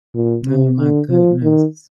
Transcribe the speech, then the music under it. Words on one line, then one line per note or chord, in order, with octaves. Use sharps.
Oh my goodness.
A#2
C3
D3
F3
D#3